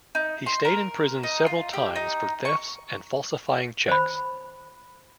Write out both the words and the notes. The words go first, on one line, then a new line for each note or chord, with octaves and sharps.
He stayed in prison several times for thefts and falsifying checks.
D#4
C6
A#4
D#4
F4
G4
D#4
C#6
C5 B5